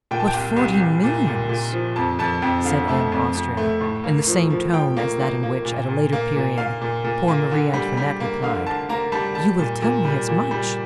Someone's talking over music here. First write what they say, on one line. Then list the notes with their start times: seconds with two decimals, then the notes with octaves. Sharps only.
"But forty millions!" said Anne of Austria, in the same tone as that in which, at a later period, poor Marie Antoinette replied, "You will tell me as much!"
0.11 A#2 G5
0.20 A5
0.28 G5
0.34 C2
0.57 C2
0.81 C2
1.04 A#2
1.27 A#2
1.49 A#2
1.73 F3
1.96 F2 A5
2.19 F2 A5
2.42 F2 G5
2.65 D3 F5
2.88 A3 A5
3.12 F2
3.35 F2
3.57 A3
3.81 A2
4.04 A#3
4.27 F3
4.50 F3
4.73 F3 G5
4.97 A#3
5.20 A#3
5.43 A#3
5.65 A#2
5.89 A#2
6.13 A#3
6.36 A#2
6.58 A#2 F5
6.82 A#2
7.04 A#2
7.28 A#3
7.51 D3
7.74 G3
7.97 G3
8.20 A#3
8.43 D3 F5
8.67 D3 A5
8.89 A#3 A#5
9.12 G3 A5
9.35 G3 A5
9.59 A#2
9.82 A#2
10.05 G3
10.28 A#2
10.51 G3